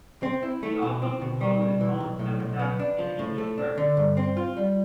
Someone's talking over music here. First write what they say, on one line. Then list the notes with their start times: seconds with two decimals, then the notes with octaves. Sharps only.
He also composed his own epitaph in English verse.
0.23 C4
0.43 E4
0.63 A3
0.82 B2
1.02 C4
1.22 B2
1.41 G3
1.61 B2
1.81 E3
2.00 B1
2.19 A2
2.40 B1
2.59 B3
2.79 D4
2.99 F3
3.19 A2
3.38 A3
3.58 D4
3.78 D3
3.97 G2
4.17 C4
4.37 F4
4.56 G3